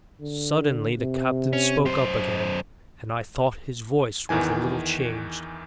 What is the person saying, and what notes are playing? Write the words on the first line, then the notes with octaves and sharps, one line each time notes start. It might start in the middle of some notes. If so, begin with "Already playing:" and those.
Suddenly the captain spoke up again, and I thought his voice was a little changed.
D3
C3
C#4
F#2 C5
E2 D#3 E3 G#5